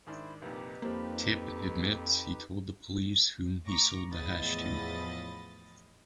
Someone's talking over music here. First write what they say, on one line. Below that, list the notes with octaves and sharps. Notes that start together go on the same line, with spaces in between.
Tip admits he told the police whom he sold the hash to.
G#2 D#3 D4 E4 C5
C2 F2 A#2 D#4 G4 B4
F2 F3 G3 A#3 C4
A2 A#5 C#6 D6 A#6
E2 A2 F3 D#5 B5 A6